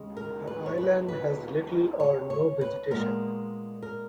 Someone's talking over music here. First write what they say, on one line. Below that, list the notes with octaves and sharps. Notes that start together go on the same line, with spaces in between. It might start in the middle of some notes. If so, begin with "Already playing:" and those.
The island has little or no vegetation.
Already playing: D#2 C#3 G#3
A#4
B4
C#5
B4
B4
C#5
C#5
B4
A#2 G#3 B3 A#4
A#4